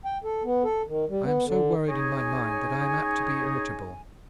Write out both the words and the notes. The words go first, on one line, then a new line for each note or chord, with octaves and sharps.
I am so worried in my mind that I am apt to be irritable.
G5
A4
B3
A4
D#3
G3
B3
D3
C#4 D#4 G#4 C#5 D#5 G#5